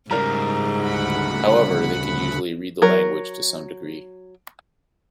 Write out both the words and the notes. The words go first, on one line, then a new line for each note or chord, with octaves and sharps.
However, they can usually read the language to some degree.
G#2 C#3 G3 A#4 A#5
D2 F#5 B5
F#3 A#4